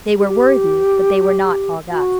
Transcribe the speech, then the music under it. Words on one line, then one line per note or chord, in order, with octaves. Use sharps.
They were worthy, but they were not august.
G4
F#4